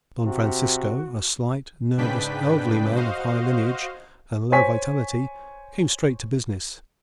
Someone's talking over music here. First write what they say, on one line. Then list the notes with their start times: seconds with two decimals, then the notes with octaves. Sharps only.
Don Francisco, a slight, nervous, elderly man of high lineage and low vitality, came straight to business.
0.24 C3 F#4
1.97 G#2 C#3 D4 B4 G5 B6
2.95 F#4 C5 D#5 F5
4.52 C5 C#5 G#5 C#6 B6